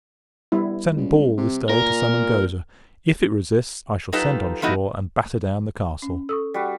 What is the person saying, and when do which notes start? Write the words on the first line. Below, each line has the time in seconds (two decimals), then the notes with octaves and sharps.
I have sent Ball, this day, to summon Goza; if it resists, I shall send on shore, and batter down the castle.
0.52 G3 B3 E4
0.97 C#2 G3
1.37 C3
1.69 A#2 A#4
4.12 F#3 D#4 F4 G4 A4 B4
4.62 F3 A3 B3 D#4 E4 F#4
6.02 C#4
6.29 A4 C#6 D#6 E6
6.54 G3 F#4